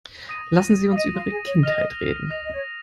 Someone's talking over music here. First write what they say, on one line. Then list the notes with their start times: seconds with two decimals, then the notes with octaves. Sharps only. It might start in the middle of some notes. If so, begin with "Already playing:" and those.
Lassen Sie uns über Ihre Kindheit reden.
0.29 D#6 A#6 D#7
0.91 F5
0.96 D#5 D#6 A#6 D#7
1.13 F4
1.30 G#4
1.46 C#5
1.63 D#5 F6 A#6 F7
2.30 D#5 F6 A#6 F7
2.43 D#5
2.53 C#5